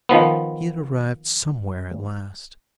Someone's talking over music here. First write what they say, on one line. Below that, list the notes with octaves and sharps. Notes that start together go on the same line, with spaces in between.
He had arrived somewhere at last.
D#3 F3 B3